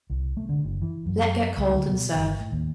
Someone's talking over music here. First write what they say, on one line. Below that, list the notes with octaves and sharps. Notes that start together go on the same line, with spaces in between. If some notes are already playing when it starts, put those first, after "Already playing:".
Let get cold and serve.
C2
A3
D3
F#1
E3
F#2
C#2
D2
B2
G1
A2
D#2